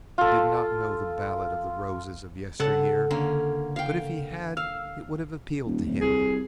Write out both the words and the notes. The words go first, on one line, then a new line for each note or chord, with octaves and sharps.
He did not know the ballad of the roses of yesteryear, but if he had it would have appealed to him.
F4 A4
C#3 A4 F#5 A5
D3 A#3 C#4
F5 G5
F5 E6 F6
D#1
D1
C2 G#4